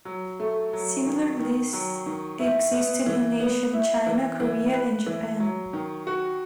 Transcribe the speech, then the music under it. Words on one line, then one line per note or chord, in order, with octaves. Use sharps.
Similar lists existed in ancient China, Korea and Japan.
F#3
A3
F#3
D#3
D#3
F#3
D#3
E4
B3
E3
B3
E4
E3
E3
B4
E3
F#3
D#3
F#4